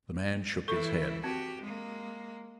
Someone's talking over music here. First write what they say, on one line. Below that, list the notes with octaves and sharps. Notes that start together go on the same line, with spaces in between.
The man shook his head.
E3 E4 A4 C#6
C4 F#4 G4
G#3 A#3